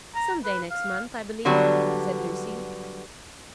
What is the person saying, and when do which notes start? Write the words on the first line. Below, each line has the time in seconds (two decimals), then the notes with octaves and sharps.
"Some day next month, I believe," said Lucy.
0.15 A#5
0.44 B4
0.70 F5
1.45 D3 F#3 G3 B3